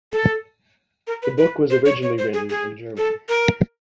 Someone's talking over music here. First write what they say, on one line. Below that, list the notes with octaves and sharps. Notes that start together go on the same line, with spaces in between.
The book was originally written in German.
A4
A#4
B4
B4
C5
C#5
C#5
C5
G#4
G#4
A4
A#4